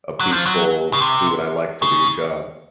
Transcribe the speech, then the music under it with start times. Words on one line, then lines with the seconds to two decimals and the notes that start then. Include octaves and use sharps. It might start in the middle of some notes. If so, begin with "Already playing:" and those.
a peaceful "do what I like to do" job.
0.20 F#3
0.32 F3
0.46 F#3
0.93 C#3
1.01 C3
1.82 C#3